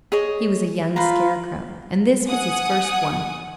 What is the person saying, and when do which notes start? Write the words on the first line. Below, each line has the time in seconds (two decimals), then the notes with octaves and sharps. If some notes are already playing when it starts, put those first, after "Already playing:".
He was a young Scarecrow, and this was his first one.
0.12 G#4 C#5 D#5
0.96 F4 B4 C5 A#5
2.27 F#5 G#5 D#6